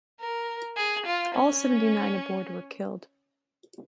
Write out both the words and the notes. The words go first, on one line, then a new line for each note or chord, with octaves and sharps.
All seventy-nine aboard were killed.
A#4
G#4
F4
C#4